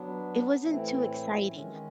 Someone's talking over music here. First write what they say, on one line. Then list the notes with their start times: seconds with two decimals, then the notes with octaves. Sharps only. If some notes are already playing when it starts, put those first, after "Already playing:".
it wasn't too exciting.
Already playing: F#3 B3 D4
0.60 A2 E3 A3 C4 E4
1.48 D#3 G#3 C#4